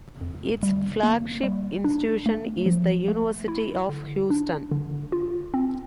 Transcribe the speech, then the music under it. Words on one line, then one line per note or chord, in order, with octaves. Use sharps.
Its flagship institution is the University of Houston.
F2
G3
A#3
G3
D4
A3
F3
A3
E4
D3
D4
D3
F4
C4